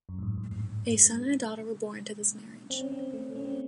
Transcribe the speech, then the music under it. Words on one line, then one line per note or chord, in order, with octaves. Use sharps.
A son and a daughter were born to this marriage.
F#2
A2
G#2
G#2
A2
G#3
C4
C#4
C4
A3
C#4
C4
A3